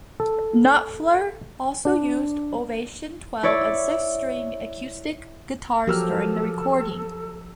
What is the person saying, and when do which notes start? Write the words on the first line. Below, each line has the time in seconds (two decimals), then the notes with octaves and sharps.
Knopfler also used Ovation twelve- and six-string acoustic guitars during the recording.
0.20 A4
1.85 D4
3.43 E4 C#5 D5
5.87 F3 F#3 G4 A4 A#4 E6 F6